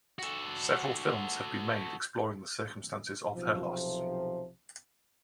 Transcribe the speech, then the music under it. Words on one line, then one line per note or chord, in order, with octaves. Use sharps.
Several films have been made exploring the circumstances of her loss.
F#4 A4
B1 C3 F3